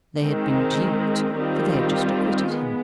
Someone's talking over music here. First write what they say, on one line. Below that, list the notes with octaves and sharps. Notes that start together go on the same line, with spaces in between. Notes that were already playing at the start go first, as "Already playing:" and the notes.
They had been duped, for they had just acquitted him.
D#3 G#3 C4
D#3 G3 C4 F4
G#3 B3